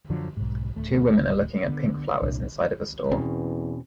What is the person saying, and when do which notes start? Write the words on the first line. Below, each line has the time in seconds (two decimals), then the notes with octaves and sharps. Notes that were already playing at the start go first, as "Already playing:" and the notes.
Two women are looking at pink flowers inside of a store.
0.10 F#2 D3 F3 F#3
0.37 B1 G#2
0.76 D1 A3
1.68 D3 B3
2.22 C2 A#2 D4
3.11 E2 B2 C4 C#4